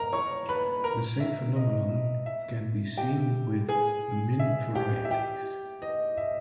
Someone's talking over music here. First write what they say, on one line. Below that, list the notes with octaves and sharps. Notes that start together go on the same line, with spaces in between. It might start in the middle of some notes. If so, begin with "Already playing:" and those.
The same phenomenon can be seen with Min varieties.
Already playing: A#4 A#5
C#5 C#6
B4 B5
A#4 A#5
E5
D#5
E5
G4 G5
G#4 G#5
E5
G4 G5
E5
G4 G5
D#5
E5